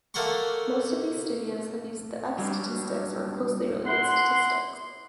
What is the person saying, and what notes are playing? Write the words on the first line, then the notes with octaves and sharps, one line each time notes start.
Most of these studies have used the "F" statistics or closely related statistics.
A3 A#3 D5 F#5 C6 C#6
F#3 G3 D4
E4 F#5 C6